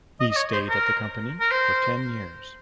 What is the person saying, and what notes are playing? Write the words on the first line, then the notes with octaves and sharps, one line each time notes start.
He stayed at the company for ten years.
D#5
D#5
C#5
C5
A#4
A#4
C5